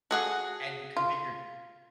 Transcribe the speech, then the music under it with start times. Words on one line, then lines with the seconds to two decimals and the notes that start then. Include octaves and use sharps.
and you commit your
0.11 F#4 G#4 A4 F#5
0.97 F4